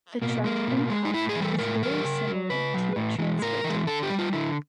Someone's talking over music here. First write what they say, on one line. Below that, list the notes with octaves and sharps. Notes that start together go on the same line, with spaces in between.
A "truck and pup" is very similar to a transfer dump.
B2 A#3
G#3 A#3
B2
G#3
D#4
A2 E4
G#4
E3
G3 A4
A2 A#4
E3 G3 A#4
C#3
F#3
C#3 B4
F#3
A2
E3 G#3
A2 A#4
E3
G#3
D3 A4
G4
G3
F4
D3 E4